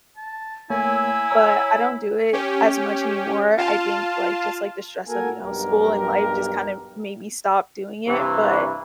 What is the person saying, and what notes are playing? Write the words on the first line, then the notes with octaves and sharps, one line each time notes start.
but I don't do it as much anymore. I think, like, just, like, the stress of, you know, school and life, just kind of, made me stop doing it, but
A5
A3 A#3 E4 C#5 G#5 E6
C#5 A#5
C#4 G4
F4 F5 A5
A#3 F#4 A4 A#4 G#5
B1 G2 G4 A#4
G2 C3 E3